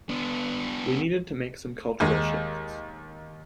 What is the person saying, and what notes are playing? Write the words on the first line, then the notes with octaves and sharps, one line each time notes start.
We needed to make some cultural shifts.
B3 D4
D#2 G#3 D#4